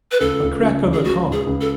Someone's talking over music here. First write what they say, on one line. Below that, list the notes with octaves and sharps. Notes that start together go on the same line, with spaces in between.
A crack on the conk.
B4
C#2 A4
C#2
C#3
C#2
G#4
G#3 F#4
C#2
G#4
C#2
A4